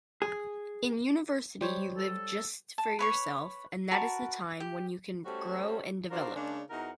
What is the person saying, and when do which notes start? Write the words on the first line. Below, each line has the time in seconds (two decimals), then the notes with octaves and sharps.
In University you live just for yourself, and that is the time, when you can grow and develop.
0.22 G#4
1.61 G3 C5 C#5
1.97 A4
2.78 A5
2.99 B4 C#5 C#6
3.91 F#4 A#4 B4 A5
4.60 G4
5.26 G3 A3 C#4 F#4 C5 C#5
6.11 D4 F4 F#4 A#4 C5 D5
6.35 C#3 G#3 A#3 D4
6.70 E2 D#4 F#4 A#4 F#5